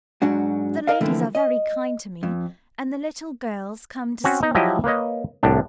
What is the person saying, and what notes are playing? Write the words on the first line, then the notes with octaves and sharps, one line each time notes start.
The ladies are very kind to me and the little girls come to see me.
G#2 F#3 D4 F#4
A#4 D#5 F5
D3 E3 F3 A3 A#3 C4
D#5
F2
C4 C#4 F#4
D#4
F3 F#3 E4 G4 D#5
A#3 B4 C#5 D#5
C2 A2 D4